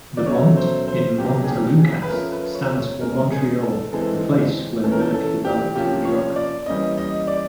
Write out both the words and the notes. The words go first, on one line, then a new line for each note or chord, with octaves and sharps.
The "Mont" in Montelukast stands for Montreal, the place where Merck developed the drug.
D5
B2 F#3 A3 C#4 C#5
C5
C5
B2 F#3 A#3 D4 G4
G#4
G4
G#4
B4
F3 A3 C#4 A#4
B4
C#5
C#5
B2 G#3 C#4 A#4
G#4
A4
E3 G#3 C4 A4
E3 A3 C#4 A4
A#4
A4
A4
G4
C3 F3 A#3 C#4 G4
C#5
D5
E3 G3 A#3 C#4 D#5
D#5
D5